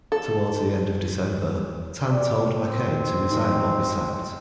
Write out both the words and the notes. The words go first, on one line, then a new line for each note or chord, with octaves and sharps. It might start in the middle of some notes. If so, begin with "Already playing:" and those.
Towards the end of December, Tan told Mackay to resign or be sacked.
A4
D5
C4
D#3
G#2 D#4